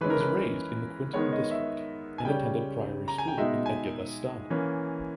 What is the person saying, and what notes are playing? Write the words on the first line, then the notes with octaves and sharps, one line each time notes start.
He was raised in the Quinton district and attended Priory School in Edgbaston.
E3 G#3 C#4 B4
A#4
B4
D#3 G#3 B3 C#5
D#5
E5
G#5
C#3 G3 C#4 G5
A#5
G#5
G5
B2 G#3 D#4 E5
G#5
E3 A#3 C#4